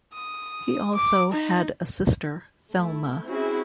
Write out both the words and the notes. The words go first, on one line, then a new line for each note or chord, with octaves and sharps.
He also had a sister, Thelma.
D#6
D6
D#4
A3 E4
C4 C#4 E4 F#4 G#4